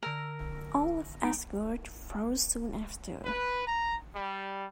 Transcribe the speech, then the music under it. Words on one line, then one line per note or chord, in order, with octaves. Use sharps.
All of Asgard falls soon after.
D3 A#4 E6 A#6
G#3 D#4 D7
B4
A#5
G3